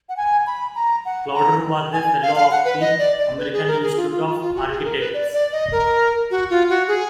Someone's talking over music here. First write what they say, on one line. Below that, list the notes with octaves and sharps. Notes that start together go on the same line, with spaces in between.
Klauder was a Fellow of the American Institute of Architects.
F#5
G#5
B5
A#5
F#5
A#5
G#5
F5
F5
F#5
B4
D#5
D5
D5
B4
G#4
A#4
G#4
F4
F4
F4
F4
F#4
G#4
A#4
B4
D5
D5
D#5
A#4
F#4
F4
F#4
G#4